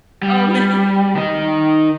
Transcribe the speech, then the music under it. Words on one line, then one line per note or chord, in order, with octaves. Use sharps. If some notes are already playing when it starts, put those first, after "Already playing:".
Oh, man.
G3
D#3 D#4